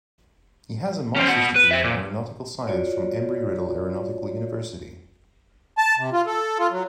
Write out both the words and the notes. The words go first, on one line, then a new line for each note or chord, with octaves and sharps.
He has a master's degree in aeronautical science from Embry-Riddle Aeronautical University.
C#4 C5
B2 F#5
B4
C5 E5
A#2
F4 F#4 C#5 D5
A5
C3
F4
A4
F4
F#3